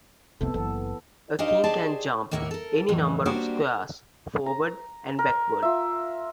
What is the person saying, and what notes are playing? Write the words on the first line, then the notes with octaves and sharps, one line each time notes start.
A king can jump any number of squares forward and backward.
F1 C2 C3 B3 A4
F#1 E3 A4
D4 D#4 G4 C5 D#5 F5
G4 G#4 C5 D5 A5
D#2 A2 A#3 E4 A#4 F#5
A4 A#4
F2 A2 E3 F#3
G3 A#3 D4 F#4 G4 C5
A#5
A#4
F4 E5